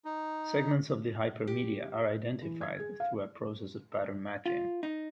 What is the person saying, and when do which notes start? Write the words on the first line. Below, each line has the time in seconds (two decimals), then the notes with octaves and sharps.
Segments of the hypermedia are identified through a process of pattern matching.
0.05 D#4
1.47 G4
2.41 E3
2.61 G#6
2.79 G#4
3.00 F5
4.46 F4
4.83 D#4